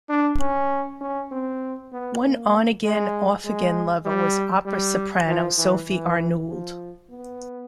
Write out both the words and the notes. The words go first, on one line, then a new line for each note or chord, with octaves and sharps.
One on-again-off-again lover was opera soprano Sophie Arnould.
D4
C#4
C#4
C4
B3
A#3
G#3
G#3
G3
G3
F3
E3
E3
F3
B3